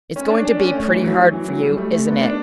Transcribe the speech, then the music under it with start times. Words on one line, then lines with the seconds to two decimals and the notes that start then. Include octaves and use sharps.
"It's going to be pretty hard for you, isn't it?"
0.16 C#4
0.30 D4
0.45 D4
0.59 C#4
0.75 A3
0.89 E3
1.04 F#3
1.33 E3
1.48 F#3
1.63 G3
1.77 A3
1.92 A3
2.07 B3
2.21 D4